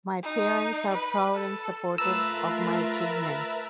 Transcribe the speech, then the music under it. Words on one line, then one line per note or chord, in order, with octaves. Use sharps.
My parents are proud and supportive of my achievements.
D#4
B4
A4
A3 F4 A#4 B4 E5 A5 A#5 E6